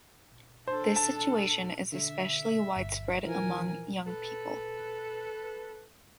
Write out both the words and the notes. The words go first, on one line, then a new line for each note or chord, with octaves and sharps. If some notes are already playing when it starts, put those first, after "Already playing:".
This situation is especially widespread among young people.
D4 A4 C5
A5
D3 E5
G1
E3 F3 A#4 G#5
A4 B4